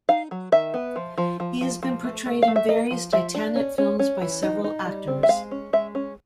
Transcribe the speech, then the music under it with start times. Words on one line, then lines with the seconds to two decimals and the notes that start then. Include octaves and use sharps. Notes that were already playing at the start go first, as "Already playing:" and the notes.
He has been portrayed in various "Titanic" films by several actors.
0.09 D#4 F5
0.31 F#3
0.52 D#3 E5
0.74 B3
0.96 F3
1.18 F3
1.40 F3
1.61 F3
1.83 F3
2.04 A3
2.26 A3
2.42 F5
2.48 A3
2.56 E5
2.69 A#3 D#5
2.91 F3
3.13 F3 E5
3.35 D4
3.56 C#4
3.78 C#4
3.99 C#4
4.22 E3
4.43 D#4
4.64 D#4
4.85 G3
5.07 C4
5.23 E5
5.29 G#3 F5
5.51 C#4
5.73 G#3 E5
5.95 C#4